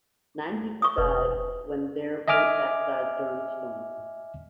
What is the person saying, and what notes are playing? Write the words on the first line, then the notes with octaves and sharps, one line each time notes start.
Nine people died when their boat capsized during the storm.
C#6 D#6
E1 B4
D#5 E5 G#5 D6 F6